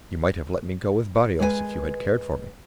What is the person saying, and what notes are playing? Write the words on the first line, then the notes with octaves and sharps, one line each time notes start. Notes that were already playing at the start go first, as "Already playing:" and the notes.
You might have let me go with Barrios if you had cared for me.
G#3 A#4 B4 F5 G#5